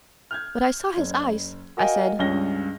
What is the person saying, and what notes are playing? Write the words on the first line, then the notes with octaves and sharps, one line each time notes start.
"But I saw his eyes," I said.
F6 G6 G#6
F#1
F#4 A#4 D#5 F5 G5 G#5
C#2 G2 C#4 C#5 A#6 G7